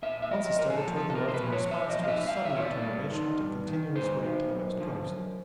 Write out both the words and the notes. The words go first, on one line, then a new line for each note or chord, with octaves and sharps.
Once he started toward the north in response to a sudden determination to continue his way to the west coast.
A#2 E5
E5
F3 D#5
A#2 A#4
G#4
A4
F3
A4
A4
A#2 A#4
C5
B4
F3
C#5
A#2 E5
D#5
F3 F5
E5
G2 F5
E5
D#3 C#5
D5
G2
D#3
G2
D#3
G2 C5
D#3
F#2
D3 F3
F#2